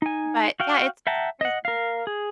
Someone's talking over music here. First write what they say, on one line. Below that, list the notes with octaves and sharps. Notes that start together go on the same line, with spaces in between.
But, yeah, it's crazy.
D#4 G#5
F#4 F5 G5
E5 F#5 G5 A5 A#5
D#5 F#5
A#4 F5
G#4